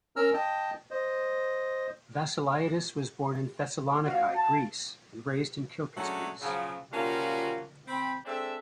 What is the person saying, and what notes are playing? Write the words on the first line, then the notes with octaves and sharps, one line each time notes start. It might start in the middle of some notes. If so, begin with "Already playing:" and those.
Vasileiadis was born in Thessaloniki, Greece, and raised in Kilkis, Greece.
C#4 A#4 A#5 E6 F6
D#5 G5 A5
C5 D#5
F#4 F5
A5
F#3 G#3 A3 C#4 D4 F#4
C#3 F3 F#3
F3 G3 A#3 C#4 F4 F#4
C4 G5 B5
G#3 C4 D4 A4 E5